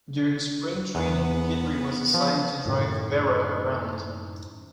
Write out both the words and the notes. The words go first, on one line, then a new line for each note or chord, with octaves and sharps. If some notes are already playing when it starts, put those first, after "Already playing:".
During Spring training, Guidry was assigned to drive Berra around.
E2 B3
F3
F#2 A2 D#3